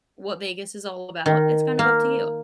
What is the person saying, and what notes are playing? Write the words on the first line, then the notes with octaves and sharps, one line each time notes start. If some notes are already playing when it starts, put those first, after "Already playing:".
what Vegas is all about, it's kind of up to you.
D#3
A#3